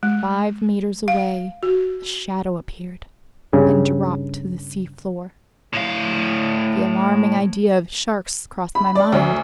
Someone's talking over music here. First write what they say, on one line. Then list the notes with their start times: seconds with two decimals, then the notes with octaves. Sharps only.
Five meters away a shadow appeared and dropped to the seafloor. The alarming idea of sharks crossed my mind.
0.03 G#3
1.08 F5
1.63 F#4
3.53 G2 C#3
5.73 A2 F5
8.75 B5
8.95 D5
9.12 D2